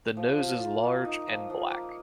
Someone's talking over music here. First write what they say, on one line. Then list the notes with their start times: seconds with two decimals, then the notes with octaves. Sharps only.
The nose is large and black.
0.17 F3
0.38 F3
0.60 F3
0.82 A#3
1.05 D#4
1.28 F3
1.50 F3
1.72 A#3